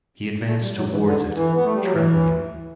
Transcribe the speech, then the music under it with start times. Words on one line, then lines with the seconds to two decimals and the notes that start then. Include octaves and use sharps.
He advanced towards it trembling.
0.47 A3
0.62 G3
0.77 F#3
0.91 E3
1.05 D3
1.34 E3
1.55 B3
1.64 A3
1.73 G3
1.83 F#3
1.92 E3